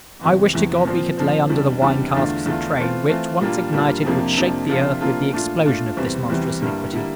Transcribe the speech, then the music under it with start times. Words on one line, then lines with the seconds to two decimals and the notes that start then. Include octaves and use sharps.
I wish to God we could lay under the wine-casks a train, which, once ignited, would shake the earth with the explosion of this monstrous iniquity.
0.21 E2 C3 E3
0.53 E2 C3 E3
0.85 A#2 F3 C4
1.17 A#2 F3 C4
1.49 E2 C3 G3 D4
1.82 E2 C3 G3 D4
2.13 E2 D3 A3 D4 F4
2.46 E2 D3 A3 D4 F4
2.78 E3 A3 C4 F4
3.09 E3 A3 C4 F4
3.41 A#2 G3 A#3 D4 F4
3.73 A#2 G3 A#3 D4 F4
4.05 F2 C3 F3 A#3 D4
4.37 F2 C3 F3 A#3 D4
4.69 C3 F3 A#3 D4 F4
5.01 C3 F3 A#3 D4 F4
5.33 A#2 A3 D4 F4
5.64 A#2 A3 D4 F4
5.97 E2 C3 E3 G3 C4
6.30 E2 C3 E3 G3 C4
6.61 G2 D3 G3 A#3 E4
6.93 D3 G3 A#3 E4